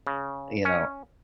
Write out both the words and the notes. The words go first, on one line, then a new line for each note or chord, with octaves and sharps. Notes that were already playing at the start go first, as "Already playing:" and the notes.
you know,
C#3
C#4